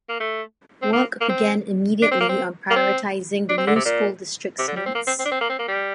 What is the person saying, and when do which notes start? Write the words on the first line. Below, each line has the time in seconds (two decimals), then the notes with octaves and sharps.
Work began immediately on prioritizing the new school district's needs.
0.09 A#3
0.20 A3
0.82 C4
0.93 A#3
1.21 A#3
1.29 C4
2.02 D4
2.11 C4
2.21 A#3
2.29 C4
2.70 A#3
2.76 C4
3.49 D4
3.58 C4
3.67 D3
3.76 C3
3.85 A#2
4.58 C3
4.68 D3
4.76 G3
4.86 C4
4.95 A#3
5.07 C4
5.19 C4
5.25 D4
5.32 C4
5.41 A#3
5.49 C4
5.59 A#3
5.68 G3